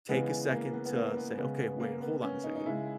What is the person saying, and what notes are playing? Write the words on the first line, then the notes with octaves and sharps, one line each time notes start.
take a second to say, "Okay. Wait. Hold on a second.
C#3 E3 G#3 B3
A#3
B3
B3
A#3
B3
C#3 G#3 B3
B3
A#3
B3
C#4
D#4
D#4
C#3 G#3 E4